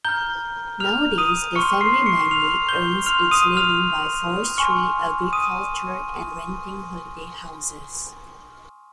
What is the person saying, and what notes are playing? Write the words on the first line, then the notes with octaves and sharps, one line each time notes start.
Nowadays, the family mainly earns its living by forestry, agriculture and renting holiday houses.
A#5 F6 G6 G7
F6 F7
D#6 D#7
C6 C#6 F6 C#7
C6 C7
C#6 C#7
F6 F7
G6 G7
C6 F6 F7
D#6 D#7
F6 F7
G#5 C6 C#6 F6 C#7
D#6 D#7